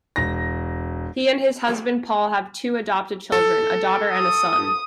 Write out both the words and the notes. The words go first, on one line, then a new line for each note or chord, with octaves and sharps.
He and his husband Paul have two adopted children, a daughter and a son.
E1 A#6
A4
D#6